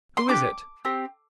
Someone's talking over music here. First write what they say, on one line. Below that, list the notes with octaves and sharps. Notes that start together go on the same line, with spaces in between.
"Who is it?"
C6
D4 G4 D6
C4 G4